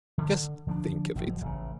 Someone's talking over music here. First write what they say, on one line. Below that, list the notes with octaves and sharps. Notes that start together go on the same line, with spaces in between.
Just think of it!
D3
D3 F3 A#3 D4
F#1 A2 F3
A1 C#3